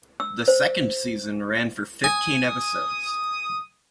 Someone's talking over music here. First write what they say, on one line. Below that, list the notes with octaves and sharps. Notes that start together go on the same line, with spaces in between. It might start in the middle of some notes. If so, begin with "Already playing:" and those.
The second season ran for fifteen episodes.
E6
C5
G#5 D#6